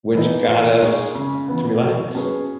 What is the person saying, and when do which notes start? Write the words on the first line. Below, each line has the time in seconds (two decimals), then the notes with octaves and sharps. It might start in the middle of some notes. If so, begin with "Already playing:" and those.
which got us to relax,
0.15 E3 B3 D#4
0.48 A#2
0.82 G#3 D#4 G#4 C#5
1.15 C#3
1.48 E3 B3
1.82 F#3
2.15 C#4 G#4 B4